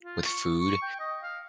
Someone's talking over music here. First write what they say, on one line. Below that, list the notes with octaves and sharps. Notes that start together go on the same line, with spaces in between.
with food,
F4
C#6
C#6
G5
D#5
F5